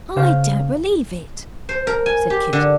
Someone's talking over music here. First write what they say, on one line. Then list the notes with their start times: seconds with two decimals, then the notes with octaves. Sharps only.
'I don't believe it,' said Kit.
0.16 C#3 C5 F5
1.69 C5
1.87 A#4
2.06 G#5
2.30 G4
2.53 D3